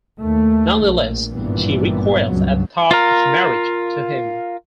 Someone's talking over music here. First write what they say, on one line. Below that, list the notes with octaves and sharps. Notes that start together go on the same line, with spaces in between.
Nonetheless, she recoils at the thought of marriage to him.
D#2 A3
A#1
G#1 G2 A#2 E3 G3 B3
C#2 G2 C#3 F#3
F4 A#4